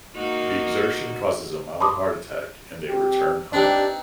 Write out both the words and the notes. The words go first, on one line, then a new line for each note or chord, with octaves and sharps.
The exertion causes a mild heart attack and they return home.
A#3 D#4 F#4
A5 B5 C6 D6 D#6
C4 G4
C4 D4 D#4 G4 B4